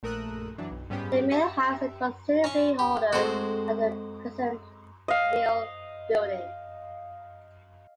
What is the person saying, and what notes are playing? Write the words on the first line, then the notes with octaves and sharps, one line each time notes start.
The mill house is considerably older than the present mill building.
A#1 A3 A#4 D#6 E6 F#6
E3 F#3 D4
B1
G#2 G3 G#3 B3 C#4 G4
G4 E5
C#4 C#6
G4
G#3 C4 F#4 A4 C5
D#5 F5